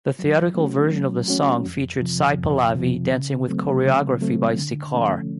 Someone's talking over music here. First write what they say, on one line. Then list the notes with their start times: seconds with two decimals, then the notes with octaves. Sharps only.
The theatrical version of the song featured Sai Pallavi dancing with choreography by Sekhar.
0.19 F#3
0.55 A3 C#4 F#4
0.92 F#3
1.28 A3 C#4 F#4
1.65 F2
2.02 C3 F3
2.38 F2
2.75 C3 F3
3.11 C#3
3.48 F#3 A3 C4
3.84 C#3
4.21 F#3 A3 C4
4.57 D3
4.94 F3 A3 C#4